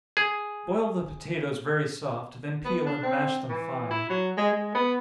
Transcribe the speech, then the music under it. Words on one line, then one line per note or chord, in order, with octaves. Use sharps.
Boil the potatoes very soft, then peel and mash them fine.
G#4
B3
D4
C4
E3
E4
F#3
G#3
G#3
B3